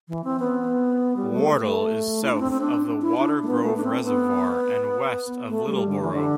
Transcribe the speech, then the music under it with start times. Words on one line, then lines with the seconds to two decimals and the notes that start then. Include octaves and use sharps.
Wardle is south of the Watergrove Reservoir and west of Littleborough.
0.08 E3
0.24 C4
0.39 B3
1.17 G3
1.33 A3
1.63 A3
2.23 E4
2.32 D4
2.40 C4
2.52 C4
2.61 D4
3.02 E4
3.17 D4
3.43 A3
3.47 B3
3.63 A3
3.77 D4
3.84 C4
4.04 B3
5.49 A3
5.69 G3
5.89 D3
6.01 E3
6.13 D3